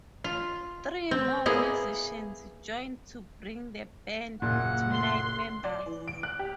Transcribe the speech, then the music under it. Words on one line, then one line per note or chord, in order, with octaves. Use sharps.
Three more musicians joined to bring the band to nine members.
F4
C4
A#3 B3 E4 G#4
F#1 A#2 F#5
C6
D5
E3
D7
F#6
G4